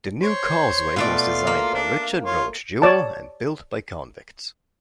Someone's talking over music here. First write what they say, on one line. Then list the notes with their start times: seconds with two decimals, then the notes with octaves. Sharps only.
The new Causeway was designed by Richard Roach Jewell and built by convicts.
0.23 C5 C#5
0.96 B2 A3 F4 D5 F5
1.47 A#3
1.75 D4
2.25 F4 C#5
2.82 C#5 D5 A5